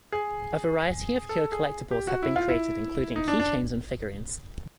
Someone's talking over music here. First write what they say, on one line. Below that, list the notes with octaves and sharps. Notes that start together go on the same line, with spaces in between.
A variety of Kyo collectibles have been created, including key chains and figurines.
G#4
A4
G#4
G4
F#4
E4
F4
E4
D#4
D4
D4